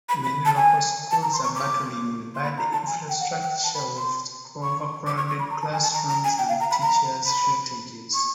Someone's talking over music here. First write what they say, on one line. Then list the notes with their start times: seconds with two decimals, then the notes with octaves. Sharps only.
Many local schools are battling in bad infrastructure with overcrowded classrooms and teachers shortages.
0.09 B5
0.23 B5
0.45 A5
0.56 G#5
1.11 A5
1.22 A#5
1.33 C6
1.44 C#6
1.55 D6
2.35 C6
2.44 B5
2.58 A#5
2.72 A5
2.87 G#5
3.09 G5
3.20 F#5
3.31 G5
3.42 G5
3.63 A5
3.75 B5
3.96 C6
4.63 C#6
5.07 D6
5.17 C#6
5.28 C#6
5.39 B5
5.50 A#5
5.62 A5
5.72 G#5
5.83 A5
5.94 A#5
6.09 A#5
6.24 G#5
6.38 G5
6.49 F5
6.60 A#5
6.71 B5
6.82 A#5
7.26 B5
8.14 C#6